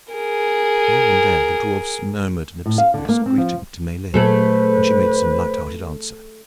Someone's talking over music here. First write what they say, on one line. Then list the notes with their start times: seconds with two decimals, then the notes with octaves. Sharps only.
Here and there the dwarfs murmured an obsequious greeting to Miellyn, and she made some lighthearted answer.
0.13 G#4 A#4
2.66 A2
2.78 F5
2.94 D3
3.09 A#3
3.26 C4
3.38 F3
4.14 A#2 F#3 A3 G#4 A4 B4 C5